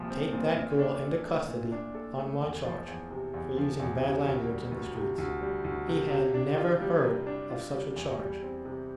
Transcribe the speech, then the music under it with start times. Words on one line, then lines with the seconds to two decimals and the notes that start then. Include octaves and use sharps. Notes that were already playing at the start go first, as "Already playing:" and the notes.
'Take that girl into custody, on my charge, for using bad language in the streets.' He had never heard of such a charge.
Already playing: C2 A#2 F3
0.10 C4
0.33 A#2
0.56 A#2
0.79 D4
1.03 A4
1.25 A3
1.48 A#2
1.72 D4
1.94 A4
2.18 A3
2.41 E2
2.64 F3
2.88 E2
3.10 C3
3.34 E2
3.57 F3
3.80 E2
4.03 C3
4.26 D2
4.49 G3
4.72 D2
4.95 C3
5.18 D2
5.42 G3
5.64 D2
5.88 C3
6.11 C3
6.34 D4
6.57 F4
6.80 G3
7.03 C3
7.26 D4
7.50 F4
7.72 G3
7.96 E2
8.19 G3
8.42 C4
8.65 C3